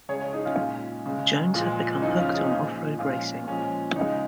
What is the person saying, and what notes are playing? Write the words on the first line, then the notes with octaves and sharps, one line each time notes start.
Jones had become hooked on off-road racing.
C#3 G#3 G#4 C#5
G#4 C#5
D#4 G#4
C#4 F4
A#2 G#3 C#4
C#3 G#3
A#2 F3 G#3
C#3 F3 G#3 D#4
C#4 F4
D#4 G#4
A#2 F3 G#3
A#2 F3 G#3 C#4 F4
A#2 F3 G#3 C#4
C#3 G#3 D#4